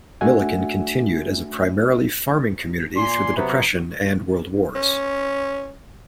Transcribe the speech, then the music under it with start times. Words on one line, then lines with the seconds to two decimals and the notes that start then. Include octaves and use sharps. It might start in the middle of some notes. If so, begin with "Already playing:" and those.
Milliken continued as a primarily farming community through the depression and world wars.
0.21 A3 D4 F#4 E5 F#5 G#5
2.96 A#2 D5 G#5 C6
3.36 C3 F#3 B3
4.75 C#4